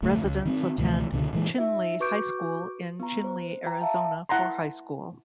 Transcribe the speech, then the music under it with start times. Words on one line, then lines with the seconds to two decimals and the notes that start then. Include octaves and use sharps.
Residents attend Chinle High School in Chinle, Arizona, for high school.
0.02 F1 D2 A3
0.23 C#2
0.46 D#3 C4
0.78 C#2 B2 E3 A3
1.12 C#2 B2 D3
1.33 A#2 E3 G#3
1.58 D#4 F4 E5
2.00 F#4 B4 C#6 D6 G6 D7
3.00 B3 F4 A#5
3.24 C5
3.65 F4 G5 A#5
3.81 E5 F5 A5
4.29 E4 F#5 A5 A#5 C6